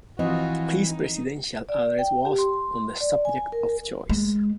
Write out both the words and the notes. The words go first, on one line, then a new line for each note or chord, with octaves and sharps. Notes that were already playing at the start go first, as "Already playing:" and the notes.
His Presidential address was on the subject of choice.
E3 F3 C4 F4 F#4 D#5
D#4
D5
G5
G4
C6
D5
G#5
A#4
G#3